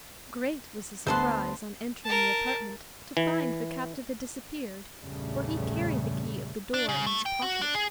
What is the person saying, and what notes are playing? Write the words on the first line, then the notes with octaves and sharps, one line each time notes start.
Great was his surprise, on entering the apartment, to find the captive had disappeared, for he carried the key of the door in his pocket.
D2 B3 C5 A5 C6 F#6
A#4 A5
E3
A#1 E2 G2 C#3 G3 A3
D4
C#3
A3
G5
F#4
D4
G#4